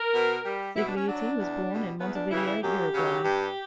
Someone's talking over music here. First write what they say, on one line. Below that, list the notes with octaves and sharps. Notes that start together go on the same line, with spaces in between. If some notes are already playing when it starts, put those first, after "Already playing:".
Cigliuti was born in Montevideo, Uruguay.
Already playing: A#4
B2
G3
B2 E4
D4
C#4
F#3 D4
E2
B2 G3
E2 B3
D4
C#3 E3 G3 E4
E4
F#2 G4
C#3 F#3
G2